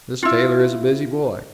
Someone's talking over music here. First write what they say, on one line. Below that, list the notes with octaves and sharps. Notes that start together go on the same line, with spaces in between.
This tailor is a busy boy.
E4 F4